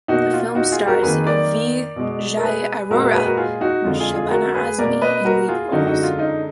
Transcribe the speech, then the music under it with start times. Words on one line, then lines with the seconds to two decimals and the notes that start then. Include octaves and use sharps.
The film stars Vijay Arora and Shabana Azmi in lead roles.
0.08 B2 A#3 D#4 F#4
0.33 F4
0.55 D#4 F#4
0.72 F4 G#4
0.87 F#4 A#4
1.02 F2 D#3 A#3 G#4 B4
1.26 A#4 D5
1.96 B2 G#3
2.37 A#4
2.43 G#4 B4
2.90 A#2 G#3 F#4 A#4
3.02 F#4 A#4
3.14 G#4 B4
3.26 F#4 A#4
3.37 F4 G#4
3.61 D#4 F#4
3.84 F2 D3 G#3 F4
4.00 F4 G#4
4.15 F4 G#4
4.31 F#4 A#4
4.54 G#4 B4
4.78 B2 A#3 A#4 D5
5.02 B4 D#5
5.25 F#4 A#4
5.48 F4 G#4
5.71 F#2 D3 G#3 D#4 F#4
5.87 D#4 F#4
6.03 F4
6.19 D#4